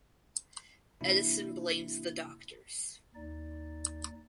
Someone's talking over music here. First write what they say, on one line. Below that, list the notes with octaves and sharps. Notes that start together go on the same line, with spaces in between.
Edison blames the doctors.
C3 E3 A#3 D4 E4 F#4
D#2 D#4 D5